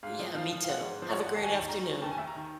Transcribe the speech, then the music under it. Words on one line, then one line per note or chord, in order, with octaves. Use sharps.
Yeah, me too. Have a great afternoon.
G#2 F5
F3
F3 F5
F3
F5
G#2 F#5
G#2
F3 C5
C#5
G#2 D5
F#5
D#2 A5
G#5
D#3 A5
D#2 A#5
D#3
D#2 A5
G#5
D#2 E5
A#5
D#3